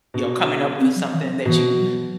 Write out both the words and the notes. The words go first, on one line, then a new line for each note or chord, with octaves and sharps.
you know, coming up with, uh, something that you,
B2
C4
F#3
E3
B2 E3
F#3